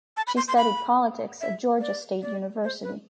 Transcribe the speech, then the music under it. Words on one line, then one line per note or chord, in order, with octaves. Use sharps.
She studied politics at Georgia State University.
A5
B5
C6
C6
B5
E5
D5
D5
C5
B4